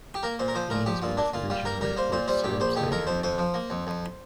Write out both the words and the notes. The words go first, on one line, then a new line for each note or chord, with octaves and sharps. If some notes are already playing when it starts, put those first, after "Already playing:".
Ainsworth Regional Airport serves the area.
G4
A#3 A#4
A#2 C5
A#4
F3 C5
A#2 A#4
F3 G4
A#2 F4
A#3 D4
A#2 F4
G3 F4
A#3 A#4
G3 A#4
A#3 C5
A#2 C5
G3 C5
A#1 G4
A#1 C5
F2 G4
F2 A#4
F2 C5
F2 C5
F3
A#3
F2
F2